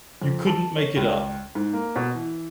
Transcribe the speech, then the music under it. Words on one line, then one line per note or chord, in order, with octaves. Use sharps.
You couldn't make it up.
F2
A5
C#5
C#2
G#2
A#3
B2
E3